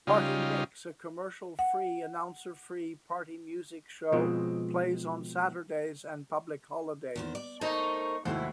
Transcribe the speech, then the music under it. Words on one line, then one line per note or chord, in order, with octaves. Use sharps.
Party Mix, a commercial-free, announcer-free party music show, plays on Saturdays and public holidays.
C#3 G3 D#4 F4
F#5
B2 F3 G#3 C4
E2 D#3 C5
D5
A3 D#4 A#4 C5 C#6
D#2 G#2 C3 A3 E4 F#4 C5